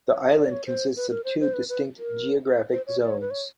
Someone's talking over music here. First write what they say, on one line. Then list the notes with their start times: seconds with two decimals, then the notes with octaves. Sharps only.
The island consists of two distinct geographic zones.
0.08 C#5
0.23 D#5
0.38 D5
0.52 C#5
0.66 C5
0.96 B4
1.11 A#4
1.25 C5
1.40 C5
1.54 B4
1.69 B4
1.98 A#4
2.71 C5
2.87 C#5
3.01 D5
3.10 C#5
3.21 B4
3.31 C#5